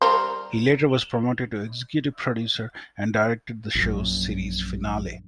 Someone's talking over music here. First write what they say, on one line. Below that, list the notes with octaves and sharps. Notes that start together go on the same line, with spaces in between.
He later was promoted to executive producer and directed the show's series finale.
G3 A#4 C5
A#1 F#2